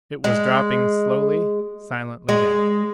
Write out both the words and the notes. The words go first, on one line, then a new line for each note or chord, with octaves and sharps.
It was dropping slowly, silently down.
G#3
G#3